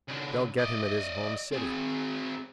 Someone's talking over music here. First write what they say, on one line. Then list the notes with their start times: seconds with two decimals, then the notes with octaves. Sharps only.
"They'll get him at his home city."
0.08 C#3 D4
0.58 D5 D#5
1.52 C4 G#4